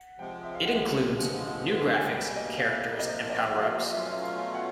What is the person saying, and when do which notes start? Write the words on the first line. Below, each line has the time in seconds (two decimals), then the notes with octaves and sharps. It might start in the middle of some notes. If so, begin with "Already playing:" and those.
It includes "new graphics, characters and power-ups".
Already playing: F#5
0.18 C3 F3 G#3 G5
0.43 E5
0.55 F5
0.65 F#5
1.12 G2 D3 F3 G#3
1.94 G#5
2.05 B2 G3 A#3 G5
2.36 D#5
2.58 F5
2.68 E5
2.99 C3 F3 A#3 D#5
3.30 D#5
3.50 E5
3.61 F5
3.87 D#5
3.92 B2 F#3 A3 C#4 F4 E5
4.11 E5
4.23 F5
4.54 F#5